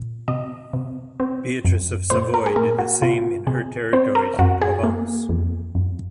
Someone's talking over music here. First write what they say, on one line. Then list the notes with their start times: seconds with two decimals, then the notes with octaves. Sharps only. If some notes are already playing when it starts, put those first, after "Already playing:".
Beatrice of Savoy did the same in her territories in Provence.
Already playing: A#2
0.28 C3 D#5
0.73 C3
1.20 C4
1.65 F#2
2.10 A#2 C5
2.34 A#4
2.46 G#4
2.56 A#2 A#4
2.79 F#4
3.02 C3 F4
3.47 C3 G#4
3.93 C4 C5
4.15 A#4
4.39 F#2 F#4
4.62 G#4
4.84 A#3
5.29 F2
5.75 F#2